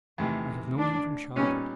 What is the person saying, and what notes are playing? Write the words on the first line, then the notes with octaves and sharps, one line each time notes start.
I have known him from childhood.
E2 C3 D#3 A3
D4
A#2 G3 B3 C#4 D#4